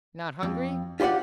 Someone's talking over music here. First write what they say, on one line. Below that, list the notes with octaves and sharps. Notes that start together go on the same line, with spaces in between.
"Not hungry?"
F2
F4 G4 C5 D5 F#5